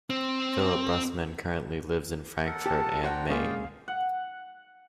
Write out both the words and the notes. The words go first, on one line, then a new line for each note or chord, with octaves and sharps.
Philip Bussmann currently lives in Frankfurt am Main.
C4
A4 A#4 F#5
G4 A5
D4 C5 F#5 G5 A#5
G#3 A#3 C#4 G#4 D5 F5 G5
F#5